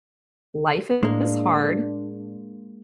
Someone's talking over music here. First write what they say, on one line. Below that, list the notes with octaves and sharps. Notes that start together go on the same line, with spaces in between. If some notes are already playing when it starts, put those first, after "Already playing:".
life is hard,
A2 G#3 A#3 D4